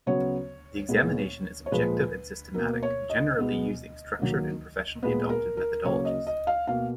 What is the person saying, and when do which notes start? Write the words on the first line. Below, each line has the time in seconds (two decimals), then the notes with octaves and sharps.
The examination is objective and systematic, generally using structured and professionally adopted methodologies.
0.06 C#3 F#3 B3 C#5
0.88 A#2 G#3 B3
1.66 C#5
1.71 A#2 F3 G#3 B4
2.54 B2 A#3 A#4
2.83 C#5
3.10 D#5
3.38 B2 G#3 B3
4.19 D#3 F#3 A#3
5.02 A#2 G#3 B3 B4
5.29 A#4
5.57 A#4
5.85 C#3 F#3 A#3 C#5
6.05 D#5
6.27 D#5
6.47 F5
6.67 B2 A#3 F5